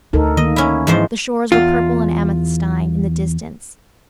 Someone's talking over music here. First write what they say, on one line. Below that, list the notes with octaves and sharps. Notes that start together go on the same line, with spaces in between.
The shores were purple and amethystine in the distance.
D2 D#4 A4 A#4
D#3 A#3 D#5
C#4 E4
G#2 E3 F3 C5
E2 F4